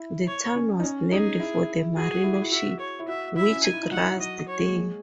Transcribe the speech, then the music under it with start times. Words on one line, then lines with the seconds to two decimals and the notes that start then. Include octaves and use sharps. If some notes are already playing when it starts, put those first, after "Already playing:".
The town was named for the merino sheep which grazed there.
Already playing: E4
0.27 C#5
0.56 C#4
0.80 D#4
0.83 C#4
1.12 D#4 G#4
1.40 E4
1.96 F#4 G#4
2.14 F#4
2.24 E4
2.42 E4
2.51 F#4 E5
2.80 C#5
2.99 E4
3.08 F#4 E5
3.36 E4 E5
3.50 C#4
3.64 D#4 G#5
3.73 E4
3.83 D#4
3.91 F#3 F#5
4.20 D#5
4.48 C#5
4.58 G#3
4.67 A#3
4.76 G#3